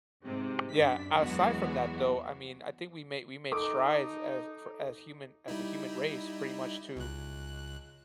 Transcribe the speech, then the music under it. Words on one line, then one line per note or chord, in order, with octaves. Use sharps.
Yeah. Aside from that, though, I mean, I think we made we made strides as for as human as a human race pretty much to,
G#2 C3
F#2 D4 B6
E2 E3 F#3 G#3 B3 F#4
D#4 A4 D6 D#6
G3 D#4 E4
C#2 F#6